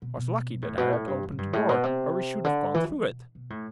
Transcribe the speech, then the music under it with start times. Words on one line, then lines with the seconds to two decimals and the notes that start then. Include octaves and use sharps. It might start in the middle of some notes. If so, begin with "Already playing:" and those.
It was lucky that I had opened the door, or we should have gone through it.
0.02 B2
0.17 B2
0.62 A2
0.78 B2
0.92 A2
1.07 G2
1.23 F#2
1.32 A2
1.38 G2
1.53 A2
1.69 B2
1.83 C3
2.44 D3
2.74 E3
2.90 G3
3.05 B2
3.35 B2
3.50 A2